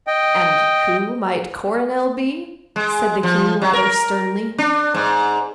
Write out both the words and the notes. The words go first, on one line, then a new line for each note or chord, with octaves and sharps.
"And who might Coronel be?" said the King, rather sternly.
D#5 G5
G#3
F3
F#3
A#4
D4
G#2